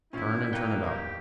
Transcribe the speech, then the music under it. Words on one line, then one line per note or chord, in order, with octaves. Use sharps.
Turn and turn about.
A#2 D#3 C#4 E4 F4
C2 A#3 B4 C#5 G5
G4